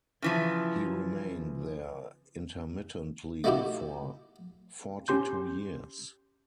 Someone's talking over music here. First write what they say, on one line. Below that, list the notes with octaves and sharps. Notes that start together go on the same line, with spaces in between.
He remained there intermittently for forty-two years.
C#3 E3 F3
A3 A#3 D#4 E4 F#4 G4
C#4 G4 C6 G6